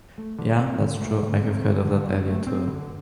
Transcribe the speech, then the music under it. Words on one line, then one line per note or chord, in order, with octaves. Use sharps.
Ya! That's true. I have heard of that earlier too.
A3
D3
C4
D3
A3
D3
C4
D3
D3
F#2
A3
C4
D3